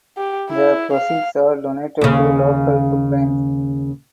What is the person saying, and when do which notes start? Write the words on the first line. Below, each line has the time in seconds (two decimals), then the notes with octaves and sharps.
The proceeds are donated to local food banks.
0.17 G4
0.50 E4
0.93 F5
2.01 D#2 C#3